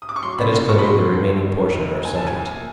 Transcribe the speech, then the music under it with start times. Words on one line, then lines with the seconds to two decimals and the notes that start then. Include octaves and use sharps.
That is clearly the remaining portion of our subject.
0.02 D#6
0.09 D6
0.16 C#6
0.23 F#3 C6
0.38 C#2 B5
0.53 C#2 C6
0.68 B2 C#6
0.79 B5
0.83 F#3 C6
0.99 D#2
1.14 D#2
1.29 D3
1.44 D#3
1.59 F#3
1.75 F1
1.90 D#2
2.05 F3 G#5
2.15 C2 A5
2.27 G#5
2.36 C2
2.50 A#2